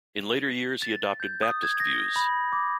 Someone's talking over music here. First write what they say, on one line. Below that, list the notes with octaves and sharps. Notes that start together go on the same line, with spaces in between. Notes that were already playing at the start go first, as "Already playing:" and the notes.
In later years he adopted Baptist views.
A6
G6
D#6
G#6
A#6
B5
D6